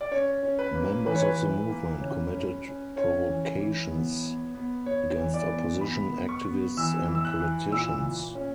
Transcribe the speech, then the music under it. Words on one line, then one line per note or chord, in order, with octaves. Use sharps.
Members of the movement committed provocations against opposition activists and politicians.
D5
C#4 C#5
C#4
B4
A#3
E3 B4
C#5
B4
E3
A#3
C#4
C#4
C#4
C#4 C#5
E3
E3
B3
B3
B3
B3 C#5
E3
D5
B3
B3 B5
B3
C#6
B3
E3 E6
E3
E6
F#6
E3
A#2 E6
A#2
C#4